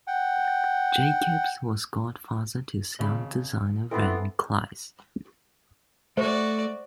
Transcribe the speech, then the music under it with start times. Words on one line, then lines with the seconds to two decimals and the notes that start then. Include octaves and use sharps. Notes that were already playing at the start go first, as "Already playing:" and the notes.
Jacobs was godfather to sound designer Ren Klyce.
0.07 F#5 G5
2.99 G#1 C#3 B5
3.91 E3 B3 C4 F4 A4
6.17 A3 F#4 C5 D5